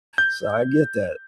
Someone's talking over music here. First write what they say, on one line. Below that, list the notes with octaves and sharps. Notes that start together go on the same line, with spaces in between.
so I get that.
G6